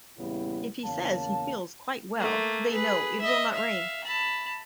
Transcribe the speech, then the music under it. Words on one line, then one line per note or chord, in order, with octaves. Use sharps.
If he says he feels quite well, they know it will not rain.
E2 A#2 C#3 G3 B3 E4
E2 C#3 A#3 C#5 F5 A5
A3 A#3
G#4 B4
D#5 E5
E5 F5
A5 B5